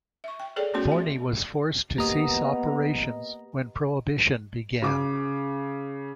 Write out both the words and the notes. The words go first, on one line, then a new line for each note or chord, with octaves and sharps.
Forni was forced to cease operations when Prohibition began.
E5 C#6
G5
G#4 A4 C#5 D5 G5
A3 B3 C#4 F#4 C#5 C6
E5 G5
A#3 B3 G4 D#5 A#5
C#3 D6